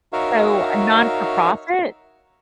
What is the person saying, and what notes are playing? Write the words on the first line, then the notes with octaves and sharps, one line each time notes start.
So a non-for-profit?
D#4 F#4 A#4 C#5 E5 F5